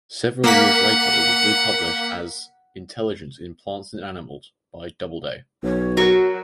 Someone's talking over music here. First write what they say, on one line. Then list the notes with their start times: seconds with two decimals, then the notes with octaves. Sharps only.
Several years later it was republished as "Intelligence in Plants and Animals" by Doubleday.
0.44 A#3 F#5 B6
5.63 B1 C#5
5.97 F#3 F#4 A#4 C#6